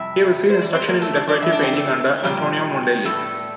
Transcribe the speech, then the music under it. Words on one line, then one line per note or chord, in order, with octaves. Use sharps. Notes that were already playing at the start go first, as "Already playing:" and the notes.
He received instruction in decorative painting under Antonio Mondelli.
Already playing: F2 C3 G3 E4 E5
C5
G2 E3 D5
C4 C5
A#3 A#4
A3 A4
D4 D5
D4 D5
G2 E3 E5
D4 D5
C4 C5
A3 A4
A#2 F3 G3 G4
A2 G3 A3 A4